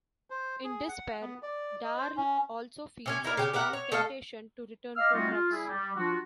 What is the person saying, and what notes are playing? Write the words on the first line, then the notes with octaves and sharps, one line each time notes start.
In despair, Daryl also feels a strong temptation to return to drugs.
C5
G#4
F#5
B3
D5
D#5
C5
C#4
C3 C#4 G#5
D#4 E4 A#4 D5
C#3 G4
G4 A#4 E5 F#5
C#5
A3 A4 D#5 F5
D#5 F5 D6 E6 F6
G3 A3 C4 D#4 F4 F#4
F4
G3 E4 G#4
G3
F3 D4 F4 F#4